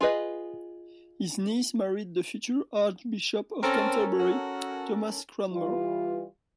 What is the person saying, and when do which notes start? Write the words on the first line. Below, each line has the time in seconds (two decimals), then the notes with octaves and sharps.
His niece married the future Archbishop of Canterbury, Thomas Cranmer.
0.01 F4 G#4 B4 D#5
3.63 C4 C#4 A4 A#4
4.19 F#4
5.52 E3 G3 F4